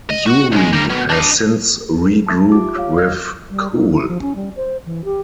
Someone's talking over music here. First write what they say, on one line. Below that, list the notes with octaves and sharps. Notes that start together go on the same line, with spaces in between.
Yuri has since regrouped with Cool.
D#5
F#4
B1 G#3
G3 A#4
B2
D4 D#5
E5 A5
F4 G4 D6
C#5 F5
D#5 E6 F6 G#6 A#6
G3
D#4
E4
F3
C#4
G3
C5
E3
G4